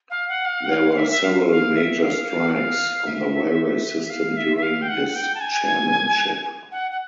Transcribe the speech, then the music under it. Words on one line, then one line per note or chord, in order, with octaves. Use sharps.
There were several major strikes on the railway system during his chairmanship.
F5
F#5
F5
F#5
F5
E5
E5
F5
F5
E5
F5
F#5
F5
E5
F5
E5
E5
F5
G5
F#5
G5
A5
G#5
F#5
F#5